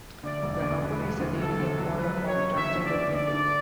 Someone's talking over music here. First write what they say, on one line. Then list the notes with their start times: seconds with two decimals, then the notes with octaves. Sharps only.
The company is a leading employer of transgender people.
0.23 D2 D5
0.43 E1
0.52 D5
0.62 D2
0.81 C#3 B4
1.00 E1
1.20 D2
1.39 E1 A4
1.59 D2
1.78 F#3
1.97 F#3 B4
2.17 F#3
2.26 C#5
2.36 C#3
2.56 D2 E5
2.75 D2
2.85 D5
2.93 D2
3.13 D2 D5
3.33 D3